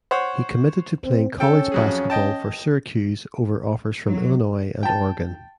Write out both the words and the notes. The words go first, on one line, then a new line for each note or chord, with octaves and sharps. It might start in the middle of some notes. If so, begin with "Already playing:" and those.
He committed to playing college basketball for Syracuse over offers from Illinois and Oregon.
C5 C#5 F#5
C4
C#4 A4 G5
F2 F#3 G#4
D#5 G5 A5
F#3
G5 A5